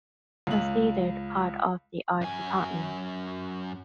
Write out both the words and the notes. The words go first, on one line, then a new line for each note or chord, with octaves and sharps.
Considered part of the art department.
C#2 F#7
F#2 G#5